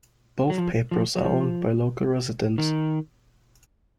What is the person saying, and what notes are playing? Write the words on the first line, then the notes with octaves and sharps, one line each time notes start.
Both papers are owned by local residents.
F#3
F3
F3
F#3
F3
D#3